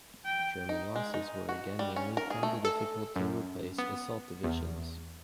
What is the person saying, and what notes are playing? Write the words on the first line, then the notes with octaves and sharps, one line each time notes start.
German losses were again mainly from the difficult-to-replace assault divisions.
G5
D#4
G#3
D#4
F#4
G3
C#4
A#4
G#4
A3
A4
F#2
B3
E2